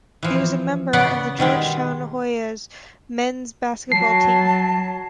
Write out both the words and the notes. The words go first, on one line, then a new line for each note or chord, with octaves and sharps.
He was a member of the Georgetown Hoyas men's basketball team.
E3 F3
C#3 B3 D5 F#5
B2 D#3 G3 G#3
F#3 A5 C7